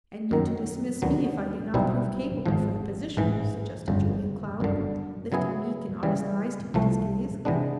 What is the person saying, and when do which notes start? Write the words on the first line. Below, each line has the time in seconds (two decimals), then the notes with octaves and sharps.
"And you to dismiss me if I do not prove capable for the position," suggested Julia Cloud, lifting meek and honest eyes to meet his gaze.
0.31 F#2 D#3 F#3
1.02 D#2 D3 F#3 B3
1.74 B1 B2 G3 C4 E4
2.46 G#1 G#2 F3
3.17 A1 G#2 E3
3.88 G1 F2 C#3
4.60 G1 F#2 D3
5.32 C#3 F#3 B3 E4 G#4
6.03 C#3 E3 G3
6.74 C2 C3 F3 A3
7.45 C3 E3 G#3 B3 D4